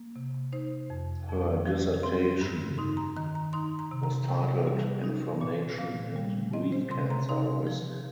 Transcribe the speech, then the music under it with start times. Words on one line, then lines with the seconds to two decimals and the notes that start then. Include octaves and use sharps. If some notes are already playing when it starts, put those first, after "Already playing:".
Her dissertation was titled "Inflammation and Breast Cancer Risk".
Already playing: A#3
0.16 C3
0.53 D#4 C5
0.90 F2
1.29 F2
1.66 F3
2.03 C4 C6
2.41 G2
2.78 D#4 C6
2.97 A#5
3.17 D#3 A#5
3.35 A#5
3.53 D#4 C6
3.79 A#5
3.91 C3
4.03 A#5
4.28 C3 G5
4.67 G3
5.04 D#4
5.41 A#2
5.78 A#2 F5
6.16 G3
6.53 C4 D#5
6.72 C5
6.91 C3 C6
7.10 A#5
7.29 D#4 C6
7.67 F3